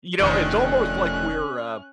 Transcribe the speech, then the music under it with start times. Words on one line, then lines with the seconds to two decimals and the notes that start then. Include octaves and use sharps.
You know, it's almost like we're, uh,
0.20 F1 E2 D3 D#3 F3 A3 C#4 F#6